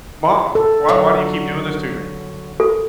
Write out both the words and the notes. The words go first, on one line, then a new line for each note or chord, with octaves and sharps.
"Mom, why why do you keep doing this to me?"
A4
D3 F#3
A4